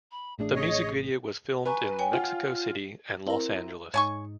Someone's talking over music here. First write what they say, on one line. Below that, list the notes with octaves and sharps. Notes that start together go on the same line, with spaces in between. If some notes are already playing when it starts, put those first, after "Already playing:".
The music video was filmed in Mexico City and Los Angeles.
B5
A1 A3 D4 G#4
C#5 D#5
B4 G#5 A#5 C#6
C#5 G5 G#5
F4 F#5
C4 E4 A#4
G#2 D#4 C#5 G#5 C#6